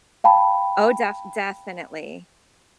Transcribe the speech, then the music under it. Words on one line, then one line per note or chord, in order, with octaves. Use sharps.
Oh, def definitely.
F5 G5 A5 B5